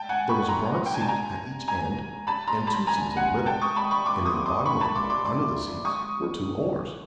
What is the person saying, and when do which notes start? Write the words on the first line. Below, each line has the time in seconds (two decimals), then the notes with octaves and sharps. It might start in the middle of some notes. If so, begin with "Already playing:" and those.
There was a broad seat at each end and two seats in the middle, and in the bottom of the boat, under the seats, were two oars.
Already playing: G5 A5
0.09 F#5 G#5
0.29 B5 C#6
0.49 A#5 C6
0.86 G5
0.94 G#5
1.01 A5
1.08 G#5 A#5
1.68 G#5 A#5
2.27 A5 B5
2.47 A#5 C6
2.67 A5 B5
2.87 G#5 A#5
3.17 F#5 G#5
3.46 G5 A5
3.61 C#6 D#6
3.76 A5 B5
3.91 B5 C#6
4.06 C6 D6
4.26 C#6 D#6
4.46 C6 D6
4.66 B5 C#6
4.81 A5 B5
4.95 C6 D6
5.10 C6 D6
5.25 C6 D6
5.85 C#6 D#6